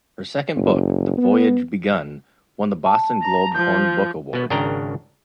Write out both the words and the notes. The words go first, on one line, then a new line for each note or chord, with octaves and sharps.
Her second book, "The Voyage Begun", won the Boston Globe-Horn Book Award.
F#1
B3
A5
A#5
F3 G6
B2 B3
G#1 C#3 D4 A#4 G5 A#5